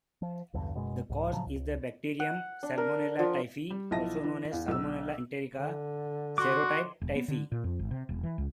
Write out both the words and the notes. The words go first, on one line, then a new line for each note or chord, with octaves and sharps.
The cause is the bacterium "Salmonella" Typhi, also known as "Salmonella enterica" serotype Typhi.
F3
B1 E2 G2 D3
F#1 F#2 B2 G#3
C2 G#2
A2 C#3 F3 F#3
C#2
F#5
D4
A#4
F3
G3
B1 F3 E4 D#5 A5 A#6
E3 D4
E2 F5
B1 E6
D3
F#4 C6 D6
E1
B3
D3
A#2
F2
G#1
C3
E1
E3
C#2